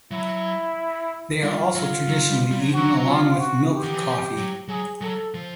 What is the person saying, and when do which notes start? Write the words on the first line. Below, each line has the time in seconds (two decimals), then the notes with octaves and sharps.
They are also traditionally eaten along with milk coffee.
0.11 F#3 E4
1.42 G3 F4
1.75 F#3
2.07 F#3
2.29 G3
2.51 G3
2.60 F#3
2.68 F3
2.73 F#3 F#4
3.05 F4
3.38 F#4
3.71 G4
3.83 D#3
3.93 E3
4.03 F3
4.37 F#3
4.68 F#3 G#4
5.01 F#3 A4
5.34 F3